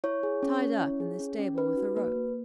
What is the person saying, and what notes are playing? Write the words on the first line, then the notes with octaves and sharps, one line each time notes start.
'Tied up in the stable with a rope.'
E4 C#5
G#4
C#4
C#4
E4
G#4
C#4
C#4
D#4 B4
F#4
A#3 B4
A#3